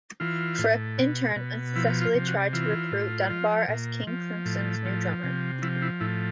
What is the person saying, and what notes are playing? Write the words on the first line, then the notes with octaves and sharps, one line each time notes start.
Fripp, in turn, unsuccessfully tried to recruit Dunbar as King Crimson's new drummer.
E3 F4
A2
B2
B2
F3 E4
F4
C3
F#4
E3 F4
A2
F3
A#2
F3
A2
F3
C3
F3 E4
E4
A2 E4